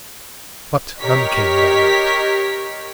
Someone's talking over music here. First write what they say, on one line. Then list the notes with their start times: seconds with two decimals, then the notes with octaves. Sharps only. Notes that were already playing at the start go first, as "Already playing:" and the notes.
But none came that night.
1.02 G4 A#4 C#5 D#5 B6